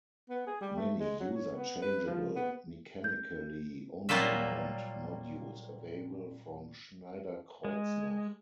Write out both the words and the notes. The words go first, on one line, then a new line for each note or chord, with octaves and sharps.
Many user-changeable mechanically-only mount modules available from Schneider Kreuznach.
B3
G#4
G3
A3
G#3
F#3
C#5
B3
B4
F3
B3
G6
A#2 F#3 G3 A#3 F4 E5
G#3